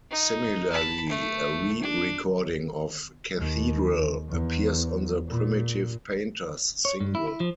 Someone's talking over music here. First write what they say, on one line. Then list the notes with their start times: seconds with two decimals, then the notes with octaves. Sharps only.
Similarly, a re-recording of "Cathedral" appears on the "Primitive Painters" single.
0.10 D#4
0.72 A5 B5
1.09 A3
1.82 D4
3.39 D#2
4.29 E2
5.29 A#2
6.85 C#5
7.00 G2
7.15 E4
7.27 E4
7.40 F3